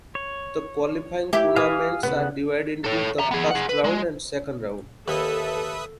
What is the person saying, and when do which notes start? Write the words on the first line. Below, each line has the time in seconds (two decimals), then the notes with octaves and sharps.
The qualifying tournaments are divided into the First round and Second round.
0.15 C#5
1.33 E4 G4
1.56 E3 F5 G#5 D#6
2.03 C#3 B3 F#5
2.84 A4 C#5
3.18 E5 A#5
3.31 B3 G#4
3.51 G#4 F#5
3.69 B4
3.85 G#3
5.08 D#2 A4 B4 E5 D#6